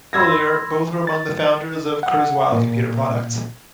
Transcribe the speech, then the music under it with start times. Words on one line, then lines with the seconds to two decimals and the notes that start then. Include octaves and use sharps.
Earlier, both were among the founders of Kurzweil Computer Products.
0.13 B5 C6 E6 G#6 A#6
1.07 A6
2.03 F#5
2.52 A#2